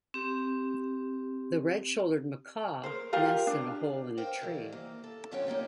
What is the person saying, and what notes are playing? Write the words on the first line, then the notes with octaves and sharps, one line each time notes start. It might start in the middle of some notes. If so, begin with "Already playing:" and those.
The red-shouldered macaw nests in a hole in a tree.
C4 G4
A#4 C5
F4 G4 A#4 F5
D4
A#4 C5 F5 G5
D#3 E3 G3
A#3
A4
D3 F#3 C#4 F4 C#5 G5
F3 G3 A#3 D#4